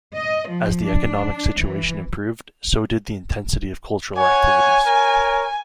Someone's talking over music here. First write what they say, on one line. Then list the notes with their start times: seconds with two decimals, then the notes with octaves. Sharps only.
As the economic situation improved, so did the intensity of cultural activities.
0.15 D#5
0.48 F3
0.82 D4
1.59 E3
4.18 C#5 F#5 G#5
4.86 A#4 C#5